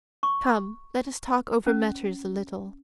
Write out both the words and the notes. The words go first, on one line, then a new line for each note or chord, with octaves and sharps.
Come! let us talk over matters a little.
C#6
C#4